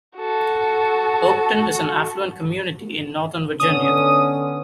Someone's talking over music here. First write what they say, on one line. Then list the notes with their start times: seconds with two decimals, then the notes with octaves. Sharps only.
Oakton is an affluent community in Northern Virginia.
0.17 F#4 A4
3.60 D3 B3 C#4 D#6